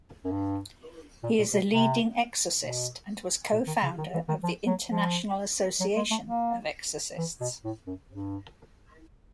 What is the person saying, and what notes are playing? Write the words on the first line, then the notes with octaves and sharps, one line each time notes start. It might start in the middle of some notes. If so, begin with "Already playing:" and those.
He is a leading exorcist and was co-founder of the International Association of Exorcists.
F#2
G2
A#2
A#2
B2
C3
B2
A#2
D#3
C#3
D#3
E3
D#3
F3
F#3
F3
F#3
G#3
A3
A#3
E3
B2
A2
F#2
G2